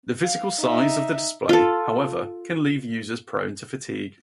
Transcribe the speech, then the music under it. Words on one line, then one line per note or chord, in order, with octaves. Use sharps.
The physical size of the display, however, can leave users prone to fatigue.
F5
D#4 E5
F4 A4